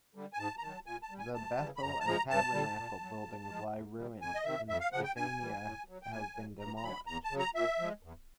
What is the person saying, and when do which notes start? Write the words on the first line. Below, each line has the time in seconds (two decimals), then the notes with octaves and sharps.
The Bethel and Tabernacl buildings lie ruined and Bethania has been demolished.
0.15 D3 G3
0.33 G#5
0.38 G#2 A5
0.58 A#5
0.63 D#3 F#3 A5
0.86 A#2 G#5
1.02 A5
1.11 G3
1.19 G#5
1.34 D2 A5
1.58 C#3 E3 G3
1.77 B5
1.81 F#2 A#5
2.00 A5
2.06 C#3 F3 G#3 A#5
2.30 G2 A5
2.53 D3 G3
2.77 A#2
3.01 F#3
3.25 A#2
3.49 F3 G#3
3.73 E2
3.97 C3 D#3 G3
4.21 F2 G#5
4.35 D#5
4.44 C3 D#3 E5
4.68 F2 E5
4.80 F5
4.92 C#3 F3 F#5
5.04 G5
5.16 G2 G#5
5.41 E3 G3
5.63 A2
5.88 F#3
6.02 G5
6.11 A#2 G#5
6.36 F#3
6.59 G2 A#5
6.76 A#5
6.83 D3 F#3 B5
7.07 E2 A#5
7.24 A5
7.31 C#3 F#3
7.39 A#5
7.55 A#2 E5
7.79 F3 G#3
8.03 E2